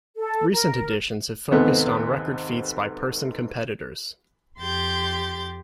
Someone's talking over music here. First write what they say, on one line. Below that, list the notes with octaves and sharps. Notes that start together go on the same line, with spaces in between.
Recent editions have focused on record feats by person competitors.
A4
A#4
D#2 G#2 C3 A3 B3
F2 G4 C6 G6 A6